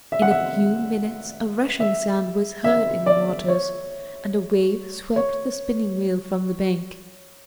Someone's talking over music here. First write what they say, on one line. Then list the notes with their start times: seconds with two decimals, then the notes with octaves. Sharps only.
In a few minutes a rushing sound was heard in the waters, and a wave swept the spinning-wheel from the bank.
0.12 E5
0.22 F#5
0.31 E5
1.80 E5
2.64 E5
3.06 D5
3.48 C#5
5.16 C#5